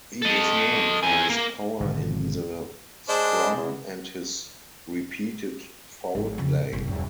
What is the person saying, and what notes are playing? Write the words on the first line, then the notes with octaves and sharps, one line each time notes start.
He is known for his power in the scrum and his repeated foul play.
A4 D#5
E2 G#5
A#3
G#1 B2 D3
G#3 D4 C5
E2
G#1 F3
F2 C#3
A2
F#1 C2
D#1 F#2